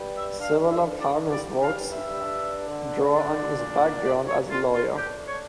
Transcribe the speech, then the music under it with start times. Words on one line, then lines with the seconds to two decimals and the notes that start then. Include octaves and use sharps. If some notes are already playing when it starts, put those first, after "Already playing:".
Several of Harness' works draw on his background as a lawyer.
Already playing: G2 G3
0.16 E5
0.40 D4 F5
0.70 E5
0.85 D3
1.00 D5
1.31 G3 D5
1.62 F5
1.77 G2
1.92 E5
2.22 D4
2.68 D3
3.13 D4
3.59 A#2
4.05 A#2 D5
4.27 C#5
4.50 A3 F4
4.73 F4
4.95 D4 G4
5.26 C#5